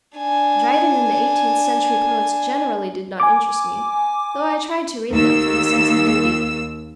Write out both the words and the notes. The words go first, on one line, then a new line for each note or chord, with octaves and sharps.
Dryden and the eighteenth century poets generally did not interest me, though I tried to read them from a sense of duty.
D4 G#5
G#5 D6
D#2 E6